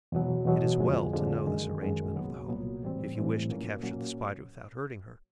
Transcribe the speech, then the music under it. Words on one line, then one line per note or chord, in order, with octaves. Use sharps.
It is well to know this arrangement of the home, if you wish to capture the Spider without hurting her.
E2 B2 F#3
E2 B2 F#3
F2 D3 F3 G#3
F2 D3 F3 G#3
F#2 D#3 G#3
F#2 D#3 G#3
C2 A#2 F#3 B3
C2 A#2 F#3 B3
A2 E3 G3 C4
A2 E3 G3 C4
A#2 F#3 A#3 C#4
A#2 F#3 A#3 C#4